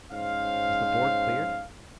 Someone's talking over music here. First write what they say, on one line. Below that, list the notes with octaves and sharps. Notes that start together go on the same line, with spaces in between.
"Is the board cleared?"
G#2 C#4 C5 F5